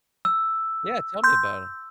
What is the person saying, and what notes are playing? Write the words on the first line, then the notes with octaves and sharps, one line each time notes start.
Yeah, tell me about it.
E6
C6 G6